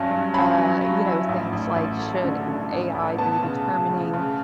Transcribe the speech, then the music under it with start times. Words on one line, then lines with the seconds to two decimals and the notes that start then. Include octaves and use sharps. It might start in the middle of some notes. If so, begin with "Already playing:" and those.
uh, you know, things like, "Should AI be determining,
Already playing: G2 F#3 C#4 A5
0.11 G2
0.34 C#4 B5
0.57 F#3
0.81 F#3
1.05 E4
1.29 A1
1.53 A1
1.76 A1
2.00 A3
2.24 D3
2.48 D3
2.72 A1
2.95 A1
3.18 B3 A5
3.43 C#3
3.66 C#3
3.90 C#3
4.13 C#3